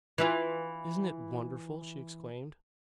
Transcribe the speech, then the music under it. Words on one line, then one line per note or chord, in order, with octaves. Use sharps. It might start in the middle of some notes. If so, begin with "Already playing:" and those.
"Isn't it wonderful!" she exclaimed.
E3 E4 F4